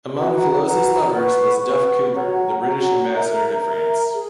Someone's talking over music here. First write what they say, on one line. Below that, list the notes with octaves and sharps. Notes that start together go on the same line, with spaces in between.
Among Fellowes's lovers was Duff Cooper, the British ambassador to France.
F#4 B4 F#5 A#5
F#4 B4 F#5 A#5
B4 F#5 C#6
B4 F#5 C#6
F#4 C#5 F#5 A#5
F#4 C#5 F#5 A#5
A#4 E5 A#5
A#4 E5 A#5
G#4